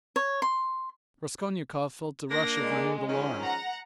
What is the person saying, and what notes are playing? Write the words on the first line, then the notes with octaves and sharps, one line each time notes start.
Raskolnikov felt a rush of renewed alarm.
C#5
C6
A#3 D4 A#6
G#3
D#3 F3 C#4
F#5 A#5